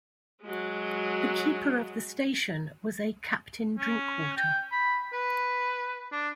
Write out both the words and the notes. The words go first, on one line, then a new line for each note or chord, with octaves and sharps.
The keeper of the station was a Captain Drinkwater.
F#3 G#3
C#4
G5
B5
B4
D4